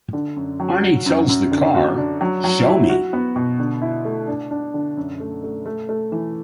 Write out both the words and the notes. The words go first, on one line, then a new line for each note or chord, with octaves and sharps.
Arnie tells the car, Show me.
D3
F#2
F#3
F#4
F#2
F#2
D3
F#4
D4
F#3
F#3
E4
F#4
B3
B2
D3
E4
A3
D4
D4
D3
F#2
A3
A3
A3
A3
E3